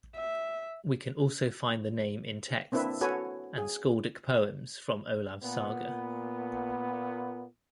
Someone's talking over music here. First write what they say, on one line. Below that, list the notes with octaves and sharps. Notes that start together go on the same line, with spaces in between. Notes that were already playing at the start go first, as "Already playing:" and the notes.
We can also find the name in texts and scaldic poems from Olav's saga.
E5
A#3 C4 D4 E4 B4 E5
F#4 A4 B4 C#5 G#5
G#4
A#2 B3